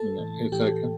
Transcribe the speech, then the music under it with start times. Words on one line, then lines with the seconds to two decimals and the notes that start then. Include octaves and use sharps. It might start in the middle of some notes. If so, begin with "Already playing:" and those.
you know, it's like, "Huh."
Already playing: A4 A5
0.18 A2 E3
0.52 A2 E3 G4 G5